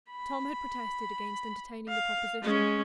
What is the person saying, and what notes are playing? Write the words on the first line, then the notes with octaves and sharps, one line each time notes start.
Tom had protested against entertaining the proposition.
B5
F5
G#3 C#4